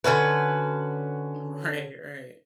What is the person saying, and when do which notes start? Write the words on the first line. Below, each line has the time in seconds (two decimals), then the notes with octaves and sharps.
Mm, right, right.
0.04 D3 C#4 F#4 B4